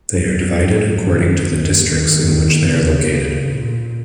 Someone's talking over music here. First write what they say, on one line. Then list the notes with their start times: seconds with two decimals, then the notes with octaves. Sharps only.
They are divided according to the districts in which they are located.
0.20 F#3
1.02 D#3
1.43 D#3
1.83 D#3
2.66 C#3
3.48 A#2